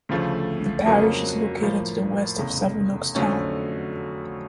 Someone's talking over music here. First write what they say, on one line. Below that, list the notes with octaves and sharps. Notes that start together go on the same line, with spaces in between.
The parish is located to the west of Sevenoaks town.
D2 C#3 F3 A3
F2 C#3 F#3 A#3
A2 F3 A#3
F1 E2 C#3
F2 D3 F#3 A3 C#4